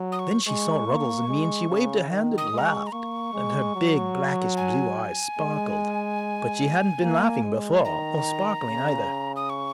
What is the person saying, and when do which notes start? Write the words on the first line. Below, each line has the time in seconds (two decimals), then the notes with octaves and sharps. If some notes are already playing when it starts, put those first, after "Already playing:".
Then she saw Ruggles and me and she waved her hand and laughed, and her big blackish-blue eyes sparkled; but she hadn't been laughing before, or sparkling either.
Already playing: F#3
0.12 D#6
0.19 C#6
0.46 G#3 C#6
0.88 A#3
1.28 G#3
1.69 C#3
2.10 D#3
2.38 D#6
2.52 G#3
2.58 A#5
2.65 C#6
2.87 A#5
2.92 A#3 C#6
3.33 G#3
3.75 F#3
4.57 G#5
5.39 G#3
7.03 A#3
7.44 G#3
7.85 D#3 A#5
8.67 C#3
9.36 D#6
9.50 C#6